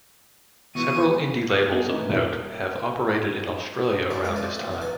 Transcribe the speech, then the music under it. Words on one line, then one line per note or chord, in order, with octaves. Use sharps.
Several indie labels of note have operated in Australia around this time.
E2 B2 E3 C#6 D#7
D6 D#6 G6 C#7
B3 C#4 G#4 A4 D#5
E3 A3 A#3 C#4 D#4 B4
E1 G3 E4 E5
A#3
F3 C#4 D4 E4
A#1 G#2 C3 B3 C5 A#5
C4 D4 E4 F4 G4
E2 F3 A3 B5
E2 B2 E3
E2 A#2 F#3 G#5 A5 C6